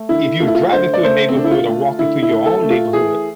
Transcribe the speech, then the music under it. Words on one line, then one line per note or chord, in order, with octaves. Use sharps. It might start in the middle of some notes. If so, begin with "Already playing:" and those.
if you were driving through a neighborhood, or walking through your own neighborhood,
Already playing: A3
D3 E4
A3 F4
E4
F4
D3 C5
D5
A3 C5
C4
D3 D4
E4
F4
A3
D3 E4
E4
A3
A4
A3
F4
E3 G#4